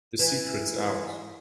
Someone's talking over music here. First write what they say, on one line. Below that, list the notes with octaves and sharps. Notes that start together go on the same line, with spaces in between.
The secret's out.
E3